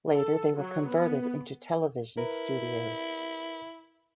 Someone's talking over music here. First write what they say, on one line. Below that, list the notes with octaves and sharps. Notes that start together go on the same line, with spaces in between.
Later they were converted into television studios.
A4
F#3
B3
E4 A#4 B4